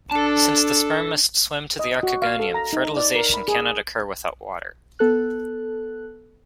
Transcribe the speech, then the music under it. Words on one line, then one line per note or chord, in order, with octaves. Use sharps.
Since the sperm must swim to the archegonium, fertilisation cannot occur without water.
D4 A4 A5
D#5
F#4
F5
A4
A#5
D#4
D5
A#4
B5
G#4
B3 A4 F#6